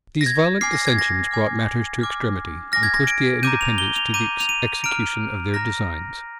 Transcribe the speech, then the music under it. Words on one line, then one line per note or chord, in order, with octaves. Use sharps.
These violent dissensions brought matters to extremity, and pushed the Independents to the execution of their designs.
A#6
G#6
G#5 D6 F6 C7
A#6
G#6
A#6
G#5 D6 F6
G#5 D6 F6
G#5 D6 F6 A#6
G#6
A#6
D7
A#5 D6 G6 D#7
F7
G7
F7
A#5 D6 G6 D#7
F7
D#7
A#5 F6 D7
A#5 F6 A#6